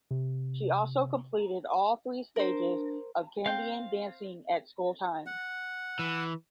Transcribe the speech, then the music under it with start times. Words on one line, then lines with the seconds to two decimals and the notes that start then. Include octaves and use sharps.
She also completed all three stages of Kandyan dancing at school times.
0.11 C3
2.36 D4 A#4 C5
3.46 C4 F5 G6
5.26 F#5
5.99 E3